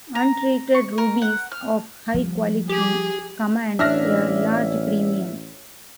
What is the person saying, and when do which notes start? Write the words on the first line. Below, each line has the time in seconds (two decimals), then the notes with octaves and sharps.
Untreated rubies of high quality command a large premium.
0.15 A#5
0.74 C#6
0.98 A#4
1.22 F#5
1.52 F6
2.14 F3 G3
2.69 G4 G#4
3.79 A1 D4 C#5 E5 F6 A#6